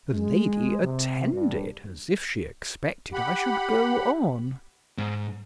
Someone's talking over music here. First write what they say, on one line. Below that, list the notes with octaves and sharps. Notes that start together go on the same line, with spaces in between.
The lady attended as if she expected I should go on.
G#3
C3
G2
G4 F#5 B5
G#2